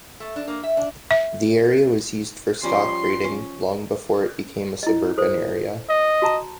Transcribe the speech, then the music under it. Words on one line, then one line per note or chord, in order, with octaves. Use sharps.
The area was used for stock breeding long before it became a suburban area.
A3
D4
A#3
E5
D4
E5
F3 G3 C#4 C6
C#4
E4 D#5
A4 C5
D#5
F#4 A5 A#5